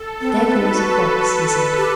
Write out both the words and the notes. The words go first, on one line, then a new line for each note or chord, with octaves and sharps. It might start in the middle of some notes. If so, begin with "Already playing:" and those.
"There goes a fox," he said.
Already playing: A4
C4 B4
B3
C4
D#4
F#4
G4